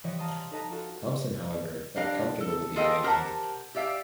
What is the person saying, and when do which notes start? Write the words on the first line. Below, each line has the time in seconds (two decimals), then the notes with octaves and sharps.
Thompson, however, felt comfortable with the arrangement.
0.04 E3 F3 G3 B4 C#5 D#5
0.19 D#5 F5 A5 A#5 C6 D#6
0.51 D#4 A4 B4 D#5 A5 A#5
0.71 F4 F#4 A4
1.96 G3 D4 D#5 F5
2.40 A4
2.76 F4 G#4 A4 D#5 F5 G5
3.03 G4 A#4 C5 F#5 A5
3.75 G4 D5 E5 F5 G5